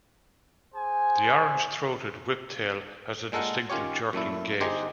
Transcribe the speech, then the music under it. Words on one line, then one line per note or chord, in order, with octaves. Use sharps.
The orange-throated whiptail has a distinctive, jerking gait.
G#4 C5 G#5
A#2 G#3 A4 A#4 F#5
D#3 C#4 F4 G4 C#5
F#2 A#2 A3 E4
G1 D#4 G4 G#4 C5 D#5